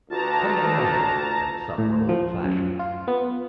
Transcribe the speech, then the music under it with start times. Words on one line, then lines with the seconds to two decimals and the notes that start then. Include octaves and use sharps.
Some were modern and some were old-fashioned.
0.10 D2 F4 F#4 B4 A5 A#5
1.78 A2
2.09 F3
2.44 F#2
2.79 F4
3.08 B3